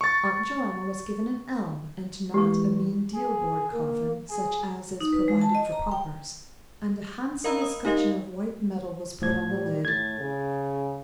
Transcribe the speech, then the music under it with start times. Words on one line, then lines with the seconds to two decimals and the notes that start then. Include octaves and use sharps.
Aunt Joanna was given an elm, and not a mean deal board coffin, such as is provided for paupers; and a handsome escutcheon of white metal was put on the lid.
0.01 C#6 A6
2.34 E3 G#3 G4 C#6
3.14 G#4
3.73 A#3
4.30 G#4
5.01 D#4
5.13 B4
5.28 G#3
5.41 A5
5.55 D#5
5.72 A#5
5.92 G5
7.44 A#4 D#5 F5 A#5 B5 E6
7.62 D#6
7.85 D#4 G4 A#4 D#5 F5
9.22 A2 F3 G#6
9.50 G3
9.85 A2 G#6 A6
10.20 C#3